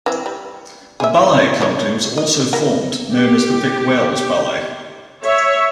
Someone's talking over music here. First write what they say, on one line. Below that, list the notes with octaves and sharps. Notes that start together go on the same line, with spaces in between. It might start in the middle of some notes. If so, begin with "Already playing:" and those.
A ballet company was also formed, known as the Vic-Wells Ballet.
E3 C4
G3
G#4 E5
F3 G#3 C#5
D#5
E3 A#3 B3
G4
C#5 E5